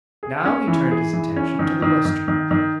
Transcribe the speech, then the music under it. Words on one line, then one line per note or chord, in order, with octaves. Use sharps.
Now he turned his attention to the western dial.
G#4
C#4
E3
G#4
E3
C#4
D#3
D#3
D#3
D#3
D#3